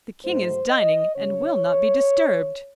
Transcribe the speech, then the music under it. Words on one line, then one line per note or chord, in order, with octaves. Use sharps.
The King is dining, and will not be disturbed.'
G#2 F#3 A3 D#4 C5
D#5
C#3 F#3 C#4 C#5